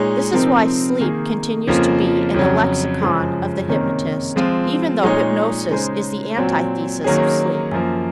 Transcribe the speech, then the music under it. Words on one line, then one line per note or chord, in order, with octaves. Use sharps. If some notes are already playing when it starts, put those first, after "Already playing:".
This is why "sleep" continues to be in the lexicon of the hypnotist even though hypnosis is the antithesis of sleep.
Already playing: A#2 G#3 D#4 G#4 C#5
C3 F3 C4 D#4 A#4
D#3 A#3 D#4 G#4
F2 C#3 F3 A#3 F4
F2 C#3 F#3
F#2 C#3 F3 G#3
C3 D#3 A#3 C#4
F3 G#3 C4 F4
A#2 G#3 D#4 G#4 C#5
C#3 G#3 D#4 G#4 C5
A#2 F#3 C4
D#3 F#3 A#3 C#4 G#4
F#2 F3 A#3